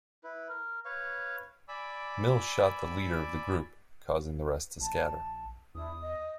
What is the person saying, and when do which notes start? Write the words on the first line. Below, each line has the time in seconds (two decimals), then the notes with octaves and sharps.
Mills shot the leader of the group, causing the rest to scatter.
0.24 E4 B4
0.49 A#4
0.85 B4 C#5 F5 C#6
1.68 D5 G#5 B5 D6 E6
4.80 A#1 A5
5.75 E2 D4 E4 D#6
6.02 D#5